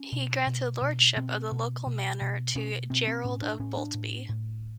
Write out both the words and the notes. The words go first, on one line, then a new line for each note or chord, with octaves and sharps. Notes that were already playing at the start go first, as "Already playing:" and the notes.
He granted Lordship of the local manor to "Gerald of Boltby".
Already playing: C#4
B2
B2
B2
B2 C4
B2
B2
B2
B2 C#4
B2 C4
C4
A2 C#4
D4
A2 C#4
D4
A2
A2